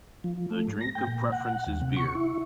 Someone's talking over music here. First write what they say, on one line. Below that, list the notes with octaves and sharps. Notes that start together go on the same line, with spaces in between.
The drink of preference is beer.
F3
A3
G#2
A#6
G5
A#2
F#5
D#2
C3
C#6
E4